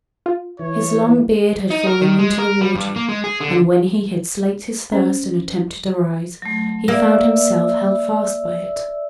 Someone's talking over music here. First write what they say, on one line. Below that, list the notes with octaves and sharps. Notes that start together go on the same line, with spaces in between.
His long beard had fallen into the water, and when he had slaked his thirst and attempted to rise, he found himself held fast by it.
F4
E3 C#5
D#4
A#4
D#3
G#3
A#4
G3
G2
A#3
G#3
G#4
D3
C#4 C5
F#3 A3
A#3 D5 E5 E6